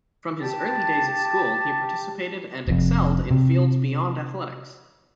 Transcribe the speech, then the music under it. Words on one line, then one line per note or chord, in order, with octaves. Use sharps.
From his early days at school he participated and excelled in fields beyond athletics.
G4 A5
F1 F2
C3